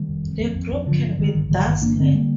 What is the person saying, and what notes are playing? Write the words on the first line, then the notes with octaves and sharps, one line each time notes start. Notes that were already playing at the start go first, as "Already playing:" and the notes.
The group can be dazzling.
Already playing: D#3 G3
F1
F2
F2
F2
F2
G1 D3 F3
D3
D3 D#3 G3
G1
G1 D#3 G3
G1 D#3
G1 A#3 D4
D3 A3 C4
G3 A#3